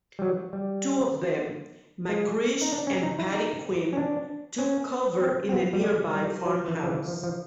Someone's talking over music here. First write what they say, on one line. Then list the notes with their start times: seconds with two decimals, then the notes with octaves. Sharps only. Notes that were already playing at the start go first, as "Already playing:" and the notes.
Two of them, McCreesh and Paddy Quinn, took cover in a nearby farmhouse.
0.19 G3
0.22 F#3
0.53 G3
2.09 G#3
2.62 D#4
2.73 D4
2.87 C#4
3.03 D#4
3.19 E4
3.34 D#4
3.93 C#4
3.97 D4
4.58 C#4
5.22 C4
5.49 C4
5.52 B3
5.73 G3
5.83 G#3
6.15 G3
6.46 F#3
6.68 E3
6.84 F3
6.88 E3
7.08 F3
7.24 F3